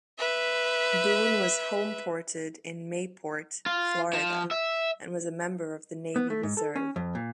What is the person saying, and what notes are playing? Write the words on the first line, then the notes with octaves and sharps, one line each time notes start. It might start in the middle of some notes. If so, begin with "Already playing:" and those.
"Boone" was homeported in Mayport, Florida, and was a member of the Navy Reserve.
B4 E5
F4
F3
E5
B3
A3
G#2
A4
C#4
F2
A#2